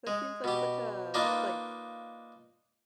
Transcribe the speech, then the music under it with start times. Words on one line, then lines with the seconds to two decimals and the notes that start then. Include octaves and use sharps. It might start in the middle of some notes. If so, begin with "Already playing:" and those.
That seems like such a, like
0.07 G#3
0.44 B2 G4
1.14 A#3 D4 D#4 F4 B4